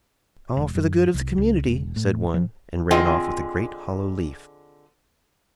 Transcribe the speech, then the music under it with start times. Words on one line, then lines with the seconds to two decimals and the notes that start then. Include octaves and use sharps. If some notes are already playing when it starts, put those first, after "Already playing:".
"All for the good of the community!" said one, and ran off with a great hollow leaf.
0.57 E1
0.75 F#2
1.14 C2
1.38 C#2
1.66 E1
1.96 A2
2.34 F3
2.91 D3 C4 F4 G#4 D#5 G5